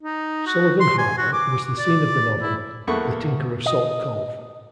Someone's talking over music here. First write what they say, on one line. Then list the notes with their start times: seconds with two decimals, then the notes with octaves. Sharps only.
Sullivan Harbor was the scene of the novel "The Tinker of Salt Cove".
0.03 D#4
0.47 F#4
0.81 C6
0.98 G#5
1.18 F#4
1.33 D6
1.79 D5
2.41 E4
2.87 E2 A#3 A4 F#5 B5 C#6
3.66 D#5